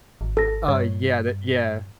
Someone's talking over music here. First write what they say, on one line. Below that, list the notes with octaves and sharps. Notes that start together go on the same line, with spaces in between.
U uh, yeah that yeah,
G#1
A4 A#6
G2 C#5